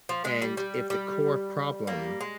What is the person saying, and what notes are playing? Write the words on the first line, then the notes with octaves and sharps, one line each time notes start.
and if the core problem
F3
G#3
G3
G3
G3
G3 A#3
G#3